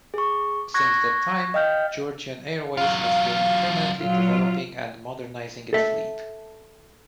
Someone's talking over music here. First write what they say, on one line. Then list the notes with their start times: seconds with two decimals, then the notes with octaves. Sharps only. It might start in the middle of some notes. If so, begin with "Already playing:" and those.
Since that time, Georgian Airways has been permanently developing and modernizing its fleet.
0.14 G#4 C#6
0.74 C#6 F#6 G#6 A#6
1.54 D#5 F5 G5 F6 G6
2.77 F#3 F4 F5
3.98 A#2 F#3 F4
5.73 A4 E5